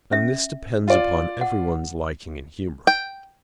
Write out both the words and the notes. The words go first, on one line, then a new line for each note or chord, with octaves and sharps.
And this depends upon every one's liking and humour.
C#4 E5
F4 D5
F#5
G5